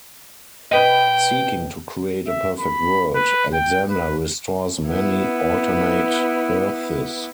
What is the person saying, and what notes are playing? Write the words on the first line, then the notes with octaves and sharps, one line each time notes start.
Seeking to create a perfect world, Alexander restores many alternate Earths.
B2 B4 D#5 G5
E5
B5
B4
G5
B4
B3 E4